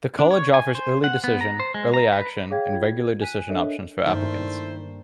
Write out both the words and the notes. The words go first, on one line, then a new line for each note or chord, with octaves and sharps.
The College offers Early Decision, Early Action and Regular Decision options for applicants.
D4
C#5
G#5
C5
F#5
B3
A#5
C5
G#3
A#5
B4
G#4 C#5 F5 G5 G#6
F4 G#6
G#5 F#6 B6 D#7
D4 A4 A#4 C#5 D#5 E5
G2 D#3 A3 A#3 C4 E4 C5